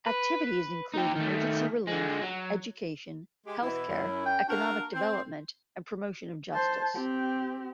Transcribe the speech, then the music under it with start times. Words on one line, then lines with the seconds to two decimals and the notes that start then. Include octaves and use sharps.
Activities include: emergency relief, education, health care, economic development, and promotion of justice.
0.07 B4
0.94 D#4 G4
1.16 D#3 A3
1.87 D3 G#3
2.22 F#3
3.46 G#3 G4
3.62 B2 E3 E4
3.88 F#2
4.26 G5
4.49 A#3 D4 F#4 A#4
4.93 C4 C5
6.53 C5 A5
6.94 C4 G4